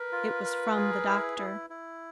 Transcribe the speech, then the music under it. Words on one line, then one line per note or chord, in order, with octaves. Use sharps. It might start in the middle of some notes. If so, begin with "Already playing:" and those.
It was from the doctor.
Already playing: A#4 B4
F4
A#4
G#4
E4
E4
E4